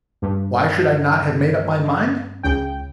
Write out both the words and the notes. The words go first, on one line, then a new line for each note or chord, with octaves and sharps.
Why should I not have made up my mind?
G2
C#2 C#3 G5